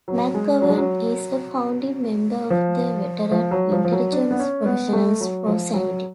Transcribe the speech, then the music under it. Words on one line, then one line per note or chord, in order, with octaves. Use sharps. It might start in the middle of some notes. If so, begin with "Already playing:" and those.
McGovern is a founding member of the Veteran Intelligence Professionals for Sanity.
F#3
G#3
F#3
G#3
F#3
F3
F3
F#3
F3
F3
F#3
D4
B3
C#4
B3
A3
F#3
F3
F#3